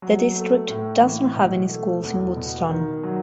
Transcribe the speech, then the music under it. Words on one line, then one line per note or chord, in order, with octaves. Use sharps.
The district doesn't have any schools in Woodston.
F#3
A3
A2
E3
B2
A3
E2
B2
D#3
F#3